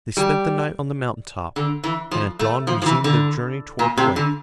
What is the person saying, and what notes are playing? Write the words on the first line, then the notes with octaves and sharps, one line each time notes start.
They spent the night on the mountain-top, and at dawn resumed their journey toward the lake.
G3
D3
E3
F3
A3
F3
F3
E3
D3
A#2
C3
D3